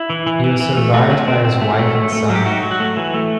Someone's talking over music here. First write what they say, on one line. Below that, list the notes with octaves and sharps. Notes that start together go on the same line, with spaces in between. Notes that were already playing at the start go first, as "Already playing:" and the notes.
He was survived by his wife and son.
Already playing: E4
E3
E3
E3
E3
A3
A3 F#4
C4
C4
C4
A3
A3
A3
A3
F#3
G4
D#4 F#4
F#3
F#4
A3
E3
A3